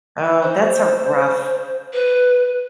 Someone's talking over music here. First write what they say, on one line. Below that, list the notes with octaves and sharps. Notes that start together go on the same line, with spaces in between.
Oh, that's a rough
C5
B4